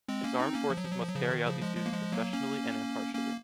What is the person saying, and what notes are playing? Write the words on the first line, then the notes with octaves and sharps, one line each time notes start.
Its armed forces must carry out these duties professionally and impartially.
G#3 C4
A#3 C#4
C4 D#4
A#3 C#4
F3
F#3
F3
F#3
F3
F#3
C#3 F3
D#3
C#3 F3
F3 G#3
F3 G#3
A#3
F3 G#3
F#3 A#3
A#3 C#4
A#3 C#4